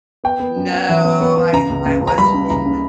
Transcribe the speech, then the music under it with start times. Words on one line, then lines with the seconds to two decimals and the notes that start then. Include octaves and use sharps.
No. I I wasn't in
0.24 B3 G5
0.40 B3
0.56 F#2
0.73 B3
0.89 E3
1.04 B3
1.21 B3
1.37 B3
1.53 C#3 A#5
1.69 C#2
1.86 C#2
2.01 C#2
2.07 A#5
2.18 G3 B5
2.34 C#3
2.50 C#2 A#5
2.66 C#3